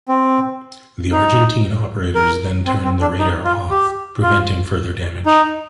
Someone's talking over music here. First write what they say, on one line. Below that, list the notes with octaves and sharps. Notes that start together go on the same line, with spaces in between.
The Argentine operators then turned their radar off, preventing further damage.
C4
D#4
A#4
C4
C4
D4
D#4
F4
G4
F4
D#4